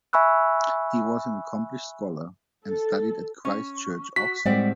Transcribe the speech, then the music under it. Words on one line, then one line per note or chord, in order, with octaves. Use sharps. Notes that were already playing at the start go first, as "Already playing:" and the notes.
He was an accomplished scholar, and studied at Christ Church, Oxford.
E5 G#5 B5 C#6 E6 F#6
A4
C#4
F#4 B6
A2 G3 G#3 C4 D5 F#5